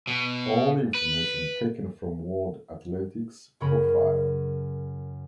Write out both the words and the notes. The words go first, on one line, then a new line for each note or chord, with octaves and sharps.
All information taken from World Athletics profile.
B2
B4
F#2 C#3 C#4 A#4 B5